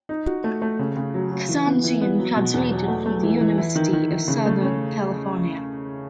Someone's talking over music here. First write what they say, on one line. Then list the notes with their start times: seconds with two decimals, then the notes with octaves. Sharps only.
Kazanjian graduated from the University of Southern California.
0.09 D#4
0.27 F#4
0.44 A3
0.62 A3
0.79 C#3
0.96 C#3
1.14 F#3
1.31 F#3
1.49 E3
1.66 B3
1.84 E3
2.01 B3
2.19 F#3
2.36 B2
2.54 E2
2.71 F#3
2.88 A3
3.06 A3
3.23 E3
3.41 E3
3.58 E4
3.75 D#3
3.93 D#3
4.11 D#3
4.28 C#3
4.46 A3
4.63 C#4